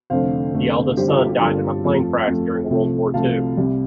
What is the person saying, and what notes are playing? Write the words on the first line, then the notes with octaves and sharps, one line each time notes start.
The eldest son died in a plane crash during World War Two.
F1 F2 D3 A3 C5 F5
F1 F2 D3 A3
G1 G2 G3 G4 C5
F4 A4
G4
G4
G1 G2 G3 F4 A4
F2 F3 A3
F2 F3 A3
C2 C3 F3 A3
C2 C3 F3 A3 F5 A5
C2 C3 G3